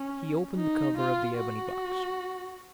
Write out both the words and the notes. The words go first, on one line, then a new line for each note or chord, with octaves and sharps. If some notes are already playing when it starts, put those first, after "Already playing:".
He opened the cover of the ebony box.
Already playing: C#4
D#4
F4
F#4